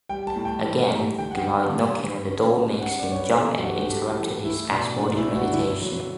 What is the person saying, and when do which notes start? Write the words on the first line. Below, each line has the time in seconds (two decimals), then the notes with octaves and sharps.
Again, the light knocking on the door makes him jump and interrupted his spasmodic meditation.
0.09 G3 G5
0.27 A5
0.36 A2
0.45 G5
0.64 E3
0.91 G3
1.18 D3 G5
1.31 F#5
1.42 G3 G5
1.73 D3
1.99 D3
2.27 C#4
2.53 G3
2.80 C#4 F#5
2.99 D5
3.08 C#4 C#5
3.18 B4
3.29 G4
3.35 E3 A4
3.58 F#4
3.62 G3 G4
3.81 G4
3.90 G3 A4
4.08 G4
4.17 E3
4.45 A3 E4
4.71 B2 D4
4.98 A3 D4
5.17 E4
5.26 D4
5.35 F#4
5.44 D4
5.53 D3 E4
5.80 F#3